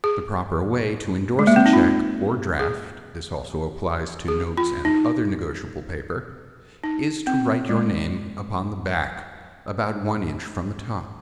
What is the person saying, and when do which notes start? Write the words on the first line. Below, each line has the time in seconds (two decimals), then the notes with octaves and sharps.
The proper way to indorse a check or draft--this also applies to notes and other negotiable paper--is to write your name upon the back about one inch from the top.
0.04 G#4
1.39 G#3
1.47 A#3
1.56 C4
1.66 D#4
1.73 F4
2.59 G#4
4.28 G#4
4.58 F4
4.85 D#4
6.84 D#4
7.27 C4
7.69 G#3